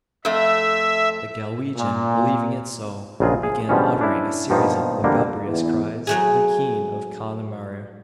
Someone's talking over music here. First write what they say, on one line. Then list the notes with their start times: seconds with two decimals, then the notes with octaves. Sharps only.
The Galwegian, believing it so, began uttering a series of lugubrious cries--the "keen" of Connemara.
0.25 F2 A3 E5
1.76 A#2
3.20 A#1 C#3 F#3 F4 G#4 D#5
3.43 G#4
3.69 B2 D3 F3 G3 G#3 C#4
3.99 C#4 D4 E4
4.50 G2 B2 F3 A#3 D#4 F4
5.04 F2 B2 D3 G3 A#3
5.47 E2
6.07 F#3 A3 G#4